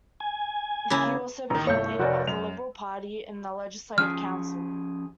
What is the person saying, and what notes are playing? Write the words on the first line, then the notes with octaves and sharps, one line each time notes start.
He also became leader of the Liberal Party in the Legislative Council.
G#5
C#3 A#3 E4
A1 D#3 A#5
G1 C2 A3 E4 C#5 G6
F1 F#4 A#4 D5
F#2 F7
F3 C#4 G#4 F6